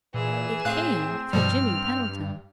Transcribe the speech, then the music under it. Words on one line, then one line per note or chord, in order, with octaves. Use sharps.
It came through Jimmy Pendleton.
A#2 E3 G#4 E7
A2 C4 F5 F#6
G2 B2 F3 G3 F6